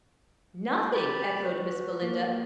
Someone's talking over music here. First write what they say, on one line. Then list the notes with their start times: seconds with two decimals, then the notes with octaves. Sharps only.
"Nothing!" echoed Miss Belinda.
0.94 G4 D5 B5
1.43 F#4 B4
2.02 A#3